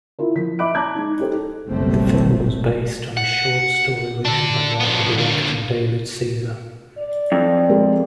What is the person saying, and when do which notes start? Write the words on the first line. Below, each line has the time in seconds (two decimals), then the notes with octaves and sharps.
The film was based on a short story written by writer-director David Caesar.
0.19 E4 F4 A#4
0.36 F3 B6
0.59 D#5 E5 B5 D6 F#6 D7
0.75 A5 A#5 D6 F#6 G#6
0.95 G#3 D#4
1.19 D#4 G4 A4 C5
1.69 F#1 B1 F#3 G3 A3 C4
3.17 F#5
4.25 D4 A4
4.80 F3 B3
5.18 D3 A#3
6.98 D5
7.32 F2
7.70 G#3 A#4